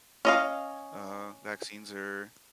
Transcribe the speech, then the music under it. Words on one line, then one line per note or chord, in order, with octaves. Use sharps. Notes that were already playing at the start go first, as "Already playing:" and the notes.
uh, vaccines are
C#4 D#5 F5